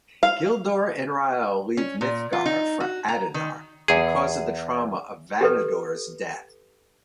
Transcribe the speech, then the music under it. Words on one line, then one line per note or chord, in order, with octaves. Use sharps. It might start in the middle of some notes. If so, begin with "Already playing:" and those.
Gildor and Rael leave Mithgar for Adonar, because of the trauma of Vanidor's death.
F5
C#4
A#2
F4
D#4
F#4
A#5
D#3
E2 G#4
G4 A4 B4